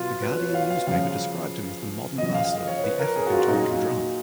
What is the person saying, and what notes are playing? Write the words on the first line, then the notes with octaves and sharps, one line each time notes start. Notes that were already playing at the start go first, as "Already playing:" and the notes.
The Guardian newspaper described him as the Modern master of the African talking drum.
Already playing: B2 F#3 F4
B4
C#5
F5
F5
C#3 F3 F5
C#3 F3 D#5
F5
F5
D#5
C#5
B4
A#4
G#4
F#4
F4
A#2 F#3 D#4